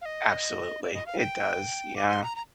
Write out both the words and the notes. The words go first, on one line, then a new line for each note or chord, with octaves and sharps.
Absolutely, it does, yeah.
F5
D#5
D5
D#5
F5
G5
D6
C6
A#5
A#5